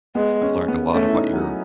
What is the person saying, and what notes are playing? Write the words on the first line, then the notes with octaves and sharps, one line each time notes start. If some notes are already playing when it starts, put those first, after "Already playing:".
I've learned a lot about your
G#3 B3
C#4
B3
A3 C#4
E4
D#4
F#3